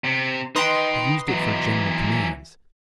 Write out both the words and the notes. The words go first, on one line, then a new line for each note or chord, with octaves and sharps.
He used it for general commands.
C3
D#4 B4 D#5 G5 C6
E3 F#3